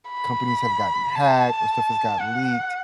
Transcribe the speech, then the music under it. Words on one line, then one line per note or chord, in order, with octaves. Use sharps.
companies have gotten hacked or stuff has gotten leaked,
B5
A5
F#5